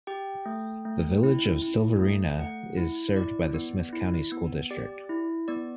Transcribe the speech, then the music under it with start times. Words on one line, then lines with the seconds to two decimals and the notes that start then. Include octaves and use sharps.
The Village of Sylvarena is served by the Smith County School District.
0.07 G4 G5
0.46 A3
0.85 A3
1.23 E4
1.62 E4
2.00 A3
2.39 A3 F#5
2.77 E4
3.16 E4 D5
3.54 B3
3.93 E4
4.32 B3
4.70 G4 D5
5.09 E4
5.48 B3 D5